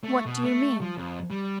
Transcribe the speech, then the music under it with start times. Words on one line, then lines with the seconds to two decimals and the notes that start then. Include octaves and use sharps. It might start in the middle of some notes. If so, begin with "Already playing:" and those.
"What do you mean?"
0.04 A3
0.26 B2
0.43 A3
0.81 F3
0.98 F2
1.30 G3